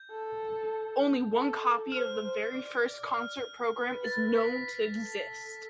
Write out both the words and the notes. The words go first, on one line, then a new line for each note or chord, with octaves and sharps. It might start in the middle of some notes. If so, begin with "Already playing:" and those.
Only one copy of the very first concert program is known to exist.
Already playing: G6
A4
A4
C5 F6
C5
D5
F6
B4
A6
B6
A4